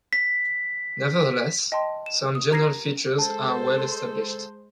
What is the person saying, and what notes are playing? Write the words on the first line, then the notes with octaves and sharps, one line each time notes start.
Nevertheless, some general features are well established.
B6
D#5 G5 A5 C6
E7
D#6
G4 A#4 A#5 G#6 A#6 C7
G#3 A4 C5 A5